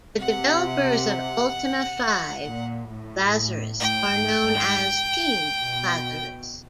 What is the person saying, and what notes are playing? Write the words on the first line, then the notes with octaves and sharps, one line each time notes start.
The developers of "Ultima Five: Lazarus" are known as Team Lazarus.
C3 F#5
A#2
A2
A2 G5
G#2
G#2
B2